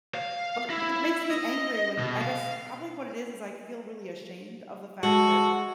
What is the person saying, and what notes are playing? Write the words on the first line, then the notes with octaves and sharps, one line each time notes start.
but it but it makes me angry when I guess, probably what it is is I c feel really ashamed of the fact that
F5
E4
D#5
B2
F5
G#3 F#4 A4